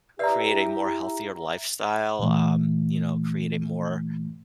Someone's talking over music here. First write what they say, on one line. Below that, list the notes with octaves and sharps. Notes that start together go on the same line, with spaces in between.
create a more healthier lifestyle, um, you know, create a more
E4 G4 B4 D5 E5 A#5
A#2 E3 A3